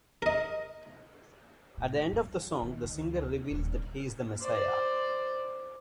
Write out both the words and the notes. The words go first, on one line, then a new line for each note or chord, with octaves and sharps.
At the end of the song the singer reveals that he is the messiah.
A#4 D#5
A2
G2
D#3
D2
D#2
D#1
C5 D5